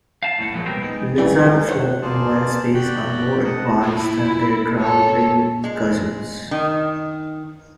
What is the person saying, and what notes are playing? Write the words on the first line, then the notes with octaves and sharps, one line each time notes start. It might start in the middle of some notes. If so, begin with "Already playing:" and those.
Lizardfolk in wildspace are more advanced than their groundling cousins.
F5 A5
A2 A3 F#5
A#2 F3 F#3 G#3
B2 G3 B3 G4 A#4 C5
G#3 B3 D#4
G#2 C#3 E3 G3
C5 C#5 F#5
A#3 G#4 C5 D5 A5
F#4 G4 D5 G5 F#6
D#5 F#5 A5
E4
A4 C#5
G#3
D#3